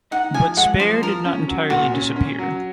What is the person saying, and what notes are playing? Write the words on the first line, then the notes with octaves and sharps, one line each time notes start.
But Spare did not entirely disappear.
D#4 F#5
F3 G#5
G#3 F#5
F3 C5
F3 A#4
C#4
F#3
A#2 F#4
C#4
C#4
F#3